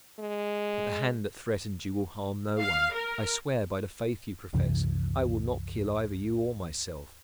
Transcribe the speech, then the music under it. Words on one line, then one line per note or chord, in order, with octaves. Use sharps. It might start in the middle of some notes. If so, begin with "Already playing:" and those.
But the hand that threatened you will harm no one; I swear by the faith you profess, I will not kill either you or myself!
G#3
F5
A#4
C2 F#2 C3 E3